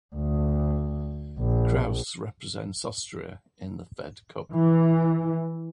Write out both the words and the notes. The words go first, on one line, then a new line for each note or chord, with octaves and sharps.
Kraus represents Austria in the Fed Cup.
D2
A#1
E3